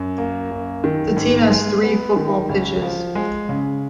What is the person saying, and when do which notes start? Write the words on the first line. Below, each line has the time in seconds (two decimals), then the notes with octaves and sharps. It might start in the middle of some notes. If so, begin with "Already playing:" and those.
The team has three football pitches.
Already playing: F#2
0.18 A#3
0.51 F#2
0.84 D#3
1.17 G#2
1.51 G#3
1.83 B3
2.16 D#3
2.49 C#2
2.82 F3
3.15 G#3
3.49 C#3